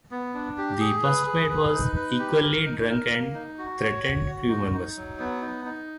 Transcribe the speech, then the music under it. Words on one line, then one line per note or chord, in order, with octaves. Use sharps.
The first mate was equally drunk and threatened crew members.
B3
D4
G4
G#4
B4
G#4
B4
D#4
B4
G4
A#4
D#4
A#4
A#3
D#4
F#4
C#5
F#4
F#4
D#4
D#4
F#3
B3
D#4
D#4